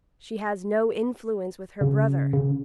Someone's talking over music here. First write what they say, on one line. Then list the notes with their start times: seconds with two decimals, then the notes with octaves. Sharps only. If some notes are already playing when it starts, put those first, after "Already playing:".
"She has no influence with her brother."
1.81 C#3
2.33 C#3